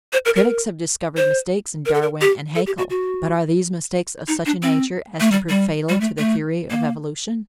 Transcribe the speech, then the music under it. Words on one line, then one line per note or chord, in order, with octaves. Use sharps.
Critics have discovered mistakes in Darwin and Haeckel, but are these mistakes of such a nature as to prove fatal to the theory of evolution?
C5
A#4
A#4
C5
A#4
A4
A#4
G4
A4
G4
F#4
F#4
D#4
D4
C4
A3
G3
G3
G3
A3
A3
A#3